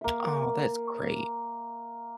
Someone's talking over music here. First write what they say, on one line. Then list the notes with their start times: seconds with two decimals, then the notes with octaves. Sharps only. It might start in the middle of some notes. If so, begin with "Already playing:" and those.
Aw, that's great.
0.01 A#3 E5